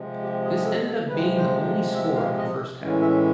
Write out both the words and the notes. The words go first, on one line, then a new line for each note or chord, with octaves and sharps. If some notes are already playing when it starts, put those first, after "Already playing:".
This ended up being the only score of the first half.
Already playing: C3 F3 G#3
G4
G#4
A4
A4
C3 F3 G#3 B4
C5
E5
F5
D#5
A2 E3 G#3 C#4
E5